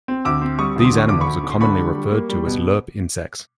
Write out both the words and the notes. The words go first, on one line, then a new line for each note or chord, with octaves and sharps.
These animals are commonly referred to as lerp insects.
C4
D2 D6 E6
C4
G3 C#6 D#6
D2 D#6
C6 D6
D3
C#6
D2 D6
B5 C#6
D2
D3
C6
D3 B5 C#6
G3
G3
A#3
G3
B2